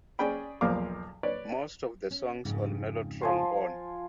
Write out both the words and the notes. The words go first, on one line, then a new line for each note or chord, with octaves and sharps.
Most of the songs on Mellotron On!
C#4 G#4 D5 G5 B5
B1 E2 F3 A#3 F5 D6
B4 C#5 D5
C#4
F2 G#2 C#3
F3 G#5 C6